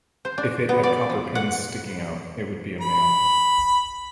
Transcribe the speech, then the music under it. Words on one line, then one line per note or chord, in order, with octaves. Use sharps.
If it had copper pins sticking out, it would be a male.
C5
D4
B3
D5
F3
F#5
B5